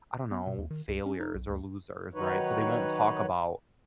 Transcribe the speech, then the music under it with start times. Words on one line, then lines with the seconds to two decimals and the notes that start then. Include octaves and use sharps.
I don't know, failures or losers, right? So, they won't talk about,
0.31 B3
0.47 B2
0.58 D#2
0.70 D#3
0.88 C#2
1.06 C#4
1.20 D#4
1.35 B1
1.50 D2
2.14 D#3 F#3 D#4 B4 C#5